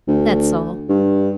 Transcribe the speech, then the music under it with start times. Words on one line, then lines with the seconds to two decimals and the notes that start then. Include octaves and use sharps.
That's all.
0.08 D2
0.89 G2